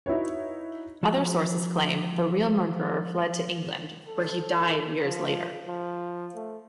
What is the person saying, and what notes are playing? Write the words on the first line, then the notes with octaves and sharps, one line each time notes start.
Other sources claim the real murderer fled to England where he died years later.
D#4 E4 F#4 B4 C#5
F3 F#4 A5 A#5 C6
A4
F3
F3
A3